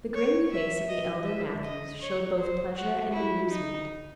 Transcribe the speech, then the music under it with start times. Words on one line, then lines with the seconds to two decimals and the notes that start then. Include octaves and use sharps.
The grim face of the elder Matthews showed both pleasure and amusement.
0.14 C#5
0.52 E5
0.89 D#5
1.26 E5
1.64 D#5
2.01 C#5
2.39 C5
2.76 F#4
3.13 E4
3.50 D#4